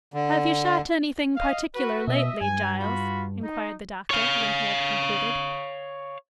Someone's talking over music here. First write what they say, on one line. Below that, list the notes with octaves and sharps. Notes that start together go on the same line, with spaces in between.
'Have you shot anything particular, lately, Giles?' inquired the doctor, when he had concluded.
D3
D#5 F5
F#4 B4
B2 D#5 E5
G2 G#5
F4 F#4 B5
D#4
C#5 F5